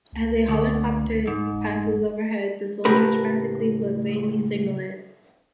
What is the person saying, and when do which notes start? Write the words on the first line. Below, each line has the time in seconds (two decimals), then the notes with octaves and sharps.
As a helicopter passes overhead, the soldiers frantically but vainly signal it.
0.12 C#2
0.48 D2
1.27 G#2
1.51 F1
2.85 C#2 A2 G4 A#4 B4